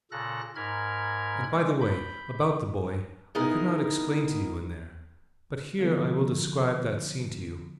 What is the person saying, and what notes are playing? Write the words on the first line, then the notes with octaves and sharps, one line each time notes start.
And, by the way, about the boy: I could not explain to you in there, but here I will describe that scene to you.
A#2 C#3 A4 F#6 A#6
G#2 A#4 B5 F6 G#6
G3 G#3
B5 G6
B3 D#4 E4 G#4 A#4
D3 F3 B3 C4 F4 A4